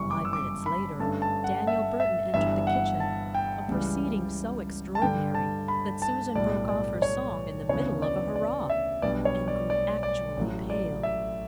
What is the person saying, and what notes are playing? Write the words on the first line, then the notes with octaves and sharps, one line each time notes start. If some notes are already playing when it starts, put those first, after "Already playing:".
Five minutes later Daniel Burton entered the kitchen--a proceeding so extraordinary that Susan broke off her song in the middle of a "Hurrah" and grew actually pale.
Already playing: G1 F#2 C#3 E3 G3 C#6
D6
E6
D6
B5
G2 D3 A3 C#4 A5
A5
F#5
E5
E5
G1 G2 E3 E5
F#5
A5
G5
C#2 C#3 E3 G3
A5
G2 D3 G3 G5
A5
B5
A5
B1 A2 G3 D5
D5
C#5
D2 C#3 E3 B3 D4 C#5
D5
D5
E5
B1 B2 G3 B3 D4 D5
C#5
D5
D5
D5
A1 A2 F#3
D5
E5